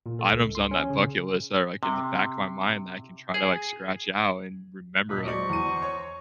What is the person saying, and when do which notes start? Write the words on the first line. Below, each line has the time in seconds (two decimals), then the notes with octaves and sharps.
items on that bucket list that are, like, in the back of my mind that I can try to, like, scratch it out and remember, like,
0.06 A#2
0.19 A4
0.32 C#2
0.55 C6
0.71 C#4
0.90 C#3
1.83 C3
3.34 G#4
5.09 D#1 D#5 B5
5.27 F#3 G#3 C5 D5 A#5 C#6
5.49 E2 D#7
5.82 C#5